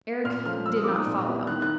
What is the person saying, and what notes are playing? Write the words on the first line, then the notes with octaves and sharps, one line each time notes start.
Eric did not follow.
A#2 F6
F3 A3 C#4 F4 F6
F3 E6
D#6
A#3 D#4 D6
D#6
A#2
G3 B3 E4
D#3 F#6
F#6